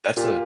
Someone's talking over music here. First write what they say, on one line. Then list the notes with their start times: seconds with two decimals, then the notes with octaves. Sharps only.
That's a
0.16 A#2 F4 G4